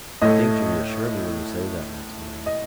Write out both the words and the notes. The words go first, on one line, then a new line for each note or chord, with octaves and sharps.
"You think to reassure me when you say that, Maximilian."
A2 A3 D#5
D#5